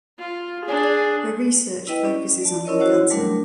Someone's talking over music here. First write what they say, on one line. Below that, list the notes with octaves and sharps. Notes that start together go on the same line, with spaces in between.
Her research focuses on lung cancer.
F4
D4 G#4
E4 B4 D#5 G5
C#4
D5 A5
C#4 E4 A#4 C#5 D#5
E4 F#4 C5 C#5 F#5 E6
F#3 G3 A3 D4 A#4